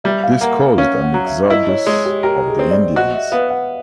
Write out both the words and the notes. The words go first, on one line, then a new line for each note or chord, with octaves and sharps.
This caused an exodus of the Indians.
G3 E5
F5
A#3 F#5
C#4 F5
F#5
F#3
E5
E4 D#5
C#5
G#3 C#5
G4
G4 A#4
G#4
C4
D5
F#4 D#5
E5
B3 F5
F#5